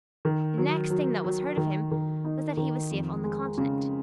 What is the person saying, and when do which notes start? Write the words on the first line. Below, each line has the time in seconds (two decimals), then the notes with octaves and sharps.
The next thing that was heard of him was that he was safe on the Continent.
0.25 D#3
0.58 F#3
0.90 F#3
1.24 F#3
1.57 D#3
1.91 D#3
2.24 D#4
2.57 D#3
2.90 F2
3.24 G#3
3.58 C#3